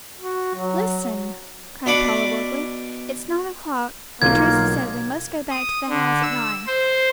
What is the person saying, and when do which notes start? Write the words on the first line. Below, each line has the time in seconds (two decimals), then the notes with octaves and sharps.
"Listen," cried Paula, woefully, "it's nine o'clock, and Teresa said we must go back to the house at nine."
0.19 F#4
0.55 F#3
1.86 B2 D4 D5 F#5 B5 D6
4.22 B1 A#3 F4 G#6
5.51 D#6
5.89 D3
6.22 E6
6.67 C5